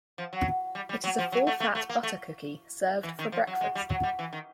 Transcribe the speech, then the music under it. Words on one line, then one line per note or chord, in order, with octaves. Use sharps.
It is a full fat butter cookie served for breakfast.
F3
F#3
G3
G3
F#3
F3
F#3
A3
A3
A3
A#3
A3
E3
D#3
F3
F#3
G#3
G3
F#3
G3
E3
D#3